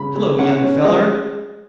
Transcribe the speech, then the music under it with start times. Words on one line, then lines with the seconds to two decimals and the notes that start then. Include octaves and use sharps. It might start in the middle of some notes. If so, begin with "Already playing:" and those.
"Hello, young feller."
Already playing: C#3 B5
0.15 G#3
0.38 C#4 F#5
0.62 C#4
0.84 G#3 D#5